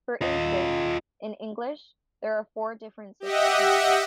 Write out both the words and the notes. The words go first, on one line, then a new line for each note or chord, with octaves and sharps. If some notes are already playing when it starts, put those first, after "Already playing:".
For instance, in English, there are four different systems.
F4 D#5
G4 D#5 E5 F#5